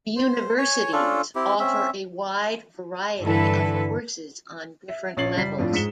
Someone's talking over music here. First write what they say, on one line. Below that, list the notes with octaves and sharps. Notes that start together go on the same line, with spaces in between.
The universities offer a wide variety of courses on different levels.
C5
C#5 G#5
C#4 D4 F4 A4
C4 E4 G4
C4 C#4 E5
G2 D3 E3 E4 A4 B4
E5
A#1 C#4 C#5 A6 C7 F#7
F#1 G3 B6 C7
F2 A2 F3 D4
G#2 G#3 B6 C#7 E7 G7